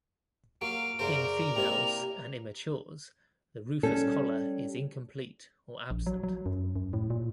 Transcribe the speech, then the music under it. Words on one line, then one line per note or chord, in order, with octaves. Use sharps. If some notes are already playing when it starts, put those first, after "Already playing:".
In females and immatures the rufous collar is incomplete or absent.
F#3 A#3 F5 D7
F#2 C#3 A#4 C5 D5
C3 A#3 E4 F7
G3 C#4 A4
A#1
F#3
F#3
F#2
F#2
A2
A#2